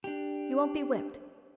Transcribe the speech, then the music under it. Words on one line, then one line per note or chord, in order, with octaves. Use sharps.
You won't be whipped.
D4 G4